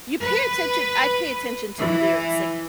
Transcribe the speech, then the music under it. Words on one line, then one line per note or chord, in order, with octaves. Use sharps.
you pay attention, I pay attention to lyrics, like,
B4
E3